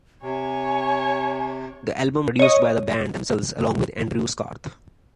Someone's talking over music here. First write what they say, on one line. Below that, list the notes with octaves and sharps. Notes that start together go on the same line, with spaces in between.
The album was produced by the band themselves, along with Andrew Scarth.
C3 C#5 G#5
C#5 D#5